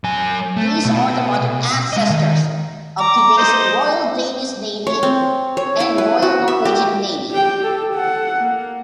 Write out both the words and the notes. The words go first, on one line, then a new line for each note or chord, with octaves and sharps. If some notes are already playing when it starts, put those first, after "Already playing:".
These are the modern ancestors of today's Royal Danish Navy and Royal Norwegian Navy.
F#3 G#5
A3
B2
G#3 D#5
D#3
A#5 D6
D#4 C5
C#5
C4
C#5
E4
B4
F#4
E5
G4
G4 G5
G4 A4
A4 F#5
A#3